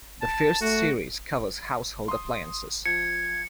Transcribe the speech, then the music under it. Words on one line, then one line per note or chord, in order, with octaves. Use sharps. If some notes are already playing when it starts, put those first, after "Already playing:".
The first series covers household appliances.
A5
A3 F#4
C6 D#6
F3 G#6 C#7